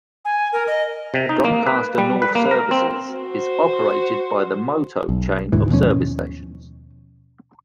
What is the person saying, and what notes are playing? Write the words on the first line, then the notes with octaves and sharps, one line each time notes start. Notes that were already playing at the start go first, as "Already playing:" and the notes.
Doncaster North services is operated by the Moto chain of service stations.
G#5
A#4
D#5
C3
D#4
A#3
B4
G3
B4
A#3
A#4
C4
F#4 C5
B1
E1 D2 G#2 E3
D#2 B2 F3 C#4